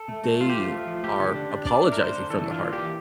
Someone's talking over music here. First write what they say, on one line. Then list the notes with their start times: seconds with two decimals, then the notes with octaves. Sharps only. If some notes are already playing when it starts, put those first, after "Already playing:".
they are apologizing from the heart,
Already playing: A4
0.09 A3
0.24 A3
0.40 A3 F4
0.50 G4
0.56 F3 F4
0.72 A3
0.87 F3
1.04 A3 G4
1.19 D3
1.35 D4
1.51 D4
1.66 D4 D5
1.83 A3
1.92 A#4
1.99 D4 C5
2.15 D3
2.30 E3 A4
2.46 D4 F4
2.62 A#3
2.73 G4
2.78 E3